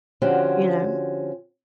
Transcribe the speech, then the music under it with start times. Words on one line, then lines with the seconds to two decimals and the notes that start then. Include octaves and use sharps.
you know?
0.22 D3 F3 C4 C#4 F#4 G4